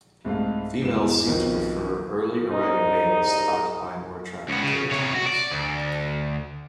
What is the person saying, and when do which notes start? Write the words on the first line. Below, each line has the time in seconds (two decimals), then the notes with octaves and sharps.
Females seem to prefer early arriving males that occupy more attractive territories.
0.25 C2 G#2 A3 F5
0.81 E2 G#2 E3 E7
1.26 B1 F2 B2 D#3 F3
2.51 C2 G#2 D#4
4.48 C#2 B3
4.63 C#3
4.92 C3 C#5
5.15 F#4
5.27 D5
5.52 D2